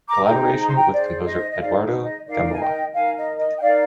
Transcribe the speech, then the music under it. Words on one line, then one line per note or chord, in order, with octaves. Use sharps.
Collaboration with composer Eduardo Gamboa.
A#5 D6
D#4 G#4 C5 G5 A#5
A#5
C6
G5 A#5
D#4 G#4 C5 D5
D#5
D#5
D#4 G#4 C5 D5 F5
D#5
D#4 A#4 D5 F5
G#5
D#5 G5
D#4 A#4 F5 G#5
D#5
D#5
G5
D#4 A#4 D5 F5